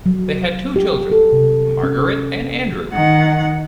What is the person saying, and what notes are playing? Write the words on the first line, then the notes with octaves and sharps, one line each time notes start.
They had two children, Margaret and Andrew.
F#3
G4
A4
C3
C#4
D#3 F#5